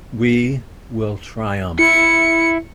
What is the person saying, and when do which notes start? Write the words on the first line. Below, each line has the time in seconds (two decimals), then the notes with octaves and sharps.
We will triumph.
1.79 E4 C#7